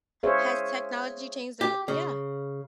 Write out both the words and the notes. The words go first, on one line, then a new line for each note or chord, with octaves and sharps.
Has technology changed the way Yeah.
G#4 C5 C#5 E5 F5
G4
C#3